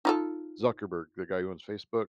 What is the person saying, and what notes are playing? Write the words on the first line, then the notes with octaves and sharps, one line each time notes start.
Zuckerberg- the guy who owns Facebook-
D#4 F4 A4